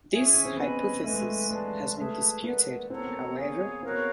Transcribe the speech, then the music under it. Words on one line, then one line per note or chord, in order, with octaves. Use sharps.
This hypothesis has been disputed, however.
G#4 C#5 E5 G#5
C#4
C#4
C4
B3 B4 D#5 G#5 B5
A3 B4 D#5 G#5
G#3
A3
G#3 B4 D5 F5 A5
A3 G#4 B4 E5 A5
A#3 B4 D5 F#5
C4 A4 C#5 F#5 A#5
B3
A#3
B3
G#4 C#5 F5 G#5
C4 F#4 A#4 C#5 F5
B3